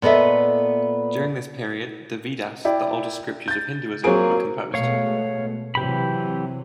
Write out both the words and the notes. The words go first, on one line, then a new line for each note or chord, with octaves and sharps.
During this period the Vedas, the oldest scriptures of Hinduism, were composed.
A#2 B3 A4 D#5 E5
E4 D5 G5
G6 A6
F#3 A#3 C4 G#4 D7
B2 G#3 A3 C#5 F5
C3 E3 F#3 G4 B5